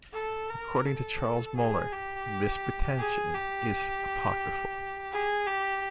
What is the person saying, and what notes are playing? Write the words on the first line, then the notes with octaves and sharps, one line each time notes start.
According to Charles Moeller, "this pretension is apocryphal".
A4
A#4
A4
G#4
G4
G#4
G4
G#4
G4